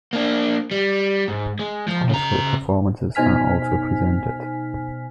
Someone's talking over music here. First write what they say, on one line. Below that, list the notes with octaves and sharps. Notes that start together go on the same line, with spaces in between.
Cultural performances are also presented.
A#3 D4
G3
G#2
G#3
F3
C#3 A#5
B2 D#4 C5 G#5 F6 B6